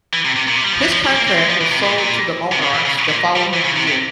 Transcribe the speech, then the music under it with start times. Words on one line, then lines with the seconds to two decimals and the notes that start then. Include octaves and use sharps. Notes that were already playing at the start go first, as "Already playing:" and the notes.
His contract was sold to the Monarchs the following year.
0.13 E3
0.25 C3
0.36 C3
0.48 A#2
0.56 C3
0.64 G3
0.73 F3
0.81 E3
0.92 F3
1.04 G3
1.15 A#3
1.27 C4
1.38 G#3
1.50 F3
1.61 E3
1.72 C3
1.84 A#2
1.99 A#2
2.52 C3
2.63 C#3
2.74 E3
2.85 C#3
3.09 A#2
3.36 G3
3.54 E3
3.64 C#3
3.77 C3
3.87 C3